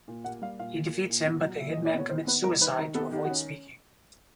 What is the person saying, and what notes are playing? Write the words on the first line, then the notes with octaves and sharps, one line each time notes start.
He defeats him but the hitman commits suicide to avoid speaking.
A#2
A#3 F#5
G3 F5
A#2 F5
A#2
A#3
A#2
B3
F#3
A#2 E5
D#5
A#2
D5
B3 C#5
D#3 C5
B3 B4
G3 A#4
D#3 B4
D#3 A#4
B3 A4
D#3 G4
F#4
C#4